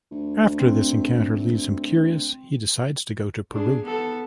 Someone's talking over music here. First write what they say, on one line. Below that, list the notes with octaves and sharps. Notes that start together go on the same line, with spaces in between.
After this encounter leaves him curious, he decides to go to Peru.
D2
C4
D2
D4 G#4
B3 A4